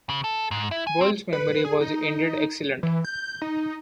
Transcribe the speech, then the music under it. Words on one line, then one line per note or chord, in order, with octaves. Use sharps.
Boyle's memory was indeed excellent.
C#3
A4
G#2
E4
G#5
C4
B4
G#4
D#4
E3
G6
D#4